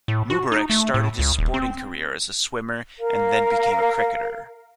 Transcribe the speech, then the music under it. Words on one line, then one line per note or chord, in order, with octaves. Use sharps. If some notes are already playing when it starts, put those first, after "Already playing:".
Mubarak started his sporting career as a swimmer and then became a cricketer.
A2
F#4
D#4
A3
A2
C#2
D#1
C4
A#4 F5